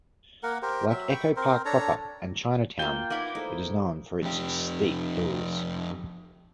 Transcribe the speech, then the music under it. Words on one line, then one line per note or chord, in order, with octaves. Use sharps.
Like Echo Park proper and Chinatown, it is known for its steep hills.
A#3 A#4 F#5
G4 A#4 C5
F#3 E5
G5 B5 C#6
C4 A#4 C5
D4 A4 C#5 A#5
A#3 F4 G5
A#3 D#4 E4 B4 D5 F5 F#5 B5
A3 D#4 A4 C5
F2 G4